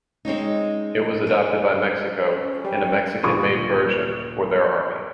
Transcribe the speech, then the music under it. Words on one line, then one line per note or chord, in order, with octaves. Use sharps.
It was adopted by Mexico, in a Mexican-made version, for their army.
G#3 C4 C#4 D#4
B4
C#4
G3 G5
D#1 D3 F4 C#6 D#6 G#6